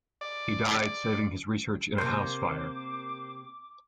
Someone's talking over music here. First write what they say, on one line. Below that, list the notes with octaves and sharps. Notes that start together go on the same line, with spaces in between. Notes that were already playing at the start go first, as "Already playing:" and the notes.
He died saving his research in a house fire.
D5
C3 A#3 C5 D6